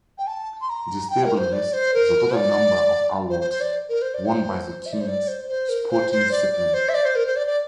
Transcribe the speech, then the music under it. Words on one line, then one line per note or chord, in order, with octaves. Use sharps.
This table lists the total number of awards won by the teams sporting discipline.
G5
A5
C6
A#5
G5
A#4
C5
D5
C5
A#4
D5
C5
C5
C5
D5
A#4
C5
D5
C5
E5
D5
C5
D5
C5
C5
A#4
C5
C5
D5
D5
C5
E5
D5
C5
A#4
C5
D5
D5